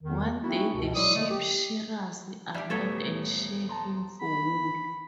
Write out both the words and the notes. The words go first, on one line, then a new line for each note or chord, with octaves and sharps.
One day the sheep-shearers arrive and shear him for wool.
E2 D#3
A3 C4 C#4 D#4 E4 F#4
C#2 F#2 B2
F#3 G#3 E4 D5 D#6
D3 G#3 A3
G4
G3 G4 E5
D#1 G3 A3 B3 A4 C#5 E5
A5 A#5 C6
B5